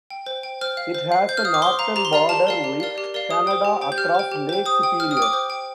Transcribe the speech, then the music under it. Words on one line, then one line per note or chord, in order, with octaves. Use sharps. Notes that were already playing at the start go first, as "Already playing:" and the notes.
It has a northern border with Canada across Lake Superior.
G5
C5
G5
C5 F6
F5
C5
F5
C5 G6
F6
F5 D#6
D6
C5 C6
F5 A#5
G4 A#5
C6
A#4 D5 F5 A#5
G4 A5
A#4 D5 F5
G4
A#4 D5 F5
G4
A#4 D5 F5
G4 D#6
C5 G5
G4
C5 G5
G6
G4 F6
C5 G5
G4
C5 G5
C5 D#6
G5
C5 F6
D#6
G5
D6
C5
G5